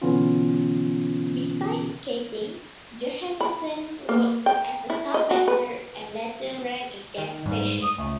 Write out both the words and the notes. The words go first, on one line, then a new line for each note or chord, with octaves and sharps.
Beside skating, Johannesen worked as a carpenter and later ran a gas station.
B2 D3 E3 B3 C#4 F4
B5
A#3
G5
E4
D#5
F#4
B4
D#3
G#2 G3
D#6
C#2 A3